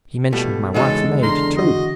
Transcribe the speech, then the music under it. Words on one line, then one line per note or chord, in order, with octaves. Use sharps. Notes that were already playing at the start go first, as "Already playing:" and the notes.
"He mentioned my wife's maid, too!"
B2 G3 A3 F4 G4
E2 C#3 G#3 D#4 F#4 A4 B4
D3 A#5 C6 F6 A#6
D3 F#4 D#5